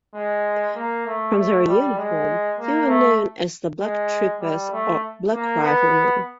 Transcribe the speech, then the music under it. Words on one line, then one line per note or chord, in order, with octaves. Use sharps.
From their uniform, they were known as the "Black Troopers" or "Black Riflemen".
G#3
A#3
A3
A3
G3
G#3
A#3
A3
G#3
G3
A3
A#3
B3